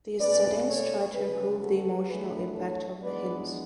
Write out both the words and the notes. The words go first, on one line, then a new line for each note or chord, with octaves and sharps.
These settings try to improve the emotional impact of the hymns.
B2 A3 C#4 B4 D5
A4 C#5
D2 C#3 F#3 C#4 G#4 B4
F#4 A4
A2 E3 A3 D4 G#4 B4
A4 C#5
F#2 E3 G#3 B3 D4 B4 D5